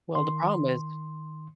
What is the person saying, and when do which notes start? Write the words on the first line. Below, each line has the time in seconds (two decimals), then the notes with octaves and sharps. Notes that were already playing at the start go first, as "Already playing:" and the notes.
Well, the problem is
0.15 D#3 C6